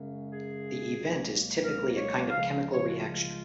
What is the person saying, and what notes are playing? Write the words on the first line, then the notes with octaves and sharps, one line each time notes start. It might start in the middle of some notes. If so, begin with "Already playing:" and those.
The "event" is typically a kind of chemical reaction.
Already playing: F#2 C#3 G#3
G#4
C#2 B2 F#3 A#3
A#4
C#5
C#2 C#3 F3 G#3 F5
C#5
F#4
F4